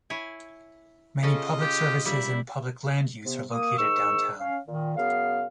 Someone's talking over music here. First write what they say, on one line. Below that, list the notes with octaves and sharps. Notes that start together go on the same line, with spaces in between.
Many public services and public land use are located downtown.
E4 C#5 G#5
C#3 C#4 F4 A4 D#5
G4
A#2 G3 E4
C3 B3
A#3 D#6
G#2 D#3 C#6 E6
C#4 F5
A#2 D#3
F#2 C#3 B3 F5